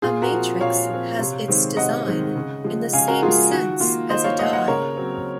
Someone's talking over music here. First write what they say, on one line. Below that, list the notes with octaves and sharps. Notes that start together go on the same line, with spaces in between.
A matrix has its design in the same sense as a die.
A#2 F4 G#4
F#4 A#4
F3 C4
A#2 C#5 F5
F3 C4
C3
D#3 G#3 C4
C3 D#5 F#5
D#3 G#3 C4
C#3
F3 G#3
C#3 F5 G#5
F#4 A#4
F3 G#3 F4 G#4
D#3 F#4
A#3 F4
D#3 C5 D#5
C#5 F5
A#3 D#5 F#5
D#5 F#5
C#3 A#4 C#5
F#3 C4